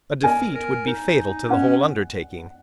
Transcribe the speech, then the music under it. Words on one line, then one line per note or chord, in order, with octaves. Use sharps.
A defeat would be fatal to the whole undertaking.
A#4 G#5
A#4
D#4
C#4 F#5